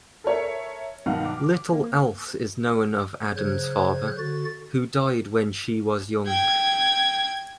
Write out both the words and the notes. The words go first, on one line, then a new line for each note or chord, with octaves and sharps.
Little else is known of Adams's father, who died when she was young.
A4 A#4 C#5 E5
B1 G2 D#3 F5 F#5 F6
D6
A#3
C#3 F#3 C5 F#6 G#6
D3 F#4 A6
G5 G#6